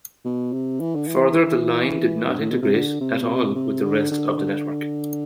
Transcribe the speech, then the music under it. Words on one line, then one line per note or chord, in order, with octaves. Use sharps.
Further the line did not integrate at all with the rest of the network.
B2
C3
E3
D3
E3
G2
A2
B2
C3
D3
C3
B2
C3
C3
D3
D3
D3